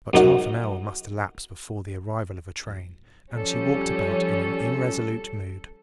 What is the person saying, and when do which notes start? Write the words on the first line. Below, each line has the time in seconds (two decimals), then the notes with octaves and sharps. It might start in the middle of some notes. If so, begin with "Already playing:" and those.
But half an hour must elapse before the arrival of a train, and she walked about in an irresolute mood.
0.13 F#2 D#4 F#4
3.33 F3 G3 C#4 A4